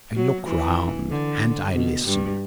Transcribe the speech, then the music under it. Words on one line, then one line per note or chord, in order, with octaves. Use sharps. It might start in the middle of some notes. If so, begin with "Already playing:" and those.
I look round and I listen.
F#3
E3
D3
B2
G2